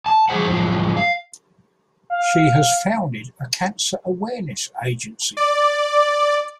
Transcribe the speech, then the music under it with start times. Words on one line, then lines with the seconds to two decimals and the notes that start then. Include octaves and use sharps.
She has founded a cancer awareness agency.
0.06 A5
0.29 F3 F#3 G#4 C5 F#5
0.47 F#2 A2 F3
0.97 F5
2.10 F5
5.37 D5